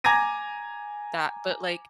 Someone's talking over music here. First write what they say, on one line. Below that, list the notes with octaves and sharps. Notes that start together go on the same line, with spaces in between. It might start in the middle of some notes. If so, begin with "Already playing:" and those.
that, but, like
G#5 A#5 D6 G#6 A#6 D#7